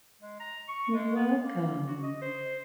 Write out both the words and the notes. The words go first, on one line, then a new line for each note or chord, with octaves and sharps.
You're welcome.
G#3
A#5
C#6
G#3
B3
A#3
F#4
D#5
C5